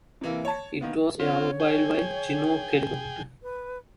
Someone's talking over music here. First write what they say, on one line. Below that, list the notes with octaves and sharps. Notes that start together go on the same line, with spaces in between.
It was airmobile via Chinook helicopter.
C3 E3 A#3
C#5 A5
D#3 A#3 B3
C4 F4 C#5
G#4 G5
B4